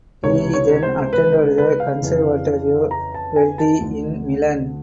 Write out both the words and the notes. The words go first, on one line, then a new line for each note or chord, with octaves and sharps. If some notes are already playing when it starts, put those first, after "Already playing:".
He then attended the Conservatorio Verdi in Milan.
C#2 C3 E3 C#5
C#5
C5
B4
B4
B4
F5
F2 C#3 E3
A#5
A5
G#5
A5
D2 D3